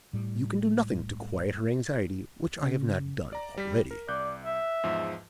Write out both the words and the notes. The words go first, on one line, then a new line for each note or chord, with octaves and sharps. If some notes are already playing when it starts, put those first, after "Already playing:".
You can do nothing to quiet her anxiety which I have not done already.
A2 G3
C#3
D5 A#5
G3 B6
A#4
C2 D5 F#6 G6
E5
E2 G#2 F3